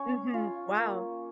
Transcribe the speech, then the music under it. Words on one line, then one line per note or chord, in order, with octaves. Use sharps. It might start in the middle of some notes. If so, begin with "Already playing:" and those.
Mhm. Wow.
Already playing: C#4 C#5
F4
A#3